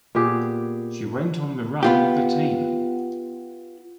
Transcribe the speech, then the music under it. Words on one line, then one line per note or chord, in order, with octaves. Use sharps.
She went on the run with the team.
A#2 B3 G4 G#4
B3 F4 G4